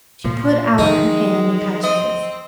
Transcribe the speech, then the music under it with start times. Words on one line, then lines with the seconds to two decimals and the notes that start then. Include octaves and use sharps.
She put out her hand and touched his.
0.24 A#2 F3
0.78 D#3 F3 G#3 D#4
1.84 C4 D#5